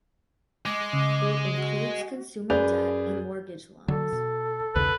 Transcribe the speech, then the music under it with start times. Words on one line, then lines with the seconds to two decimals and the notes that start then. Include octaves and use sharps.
It includes consumer debt and mortgage loans.
0.66 G#3 D6
0.93 C#3
1.55 F#4
2.50 F#2 G#4 B4 D5 G6 F7
3.88 D3 F#3 A4
4.13 B2
4.75 B1 E2 C#3 B4